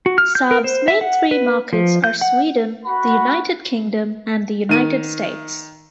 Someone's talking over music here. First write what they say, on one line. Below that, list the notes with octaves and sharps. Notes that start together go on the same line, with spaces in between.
Saab's main three markets are Sweden, the United Kingdom and the United States.
F#4
F6
G6
A#4
C5
E5
F#5
B4
F3
G6
F#5
F#4 F#5 B5
D#3 D#7